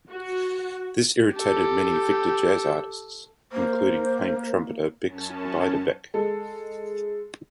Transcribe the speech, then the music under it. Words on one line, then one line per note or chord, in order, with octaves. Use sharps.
This irritated many Victor jazz artists, including famed trumpeter Bix Beiderbecke.
F#4
G4 A4
A#3 C5
F#2 C#4 A5
G#3 A4